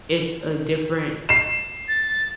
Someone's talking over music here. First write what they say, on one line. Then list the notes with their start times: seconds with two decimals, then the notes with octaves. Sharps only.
it's a different
1.29 C7 E7
1.88 A6